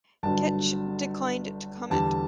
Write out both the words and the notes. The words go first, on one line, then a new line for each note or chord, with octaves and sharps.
Keetch declined to comment.
G1 G2 D3 F#3 A5
E2 D3 G3 A5